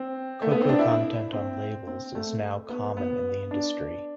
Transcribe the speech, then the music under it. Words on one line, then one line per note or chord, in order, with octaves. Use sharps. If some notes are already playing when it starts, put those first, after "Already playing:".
Cacao content on labels is now common in the industry.
Already playing: C4
A3
B3
C4
D4
E4
C4
C4
A3
B3
B3
D4